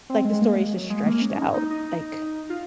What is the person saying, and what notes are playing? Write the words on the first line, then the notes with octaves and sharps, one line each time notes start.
like, the story is just stretched out, like,
C4
G#3
A#3
G#3
F#3
G#3
A#3
C#4
D#4
D#4
D#4
F4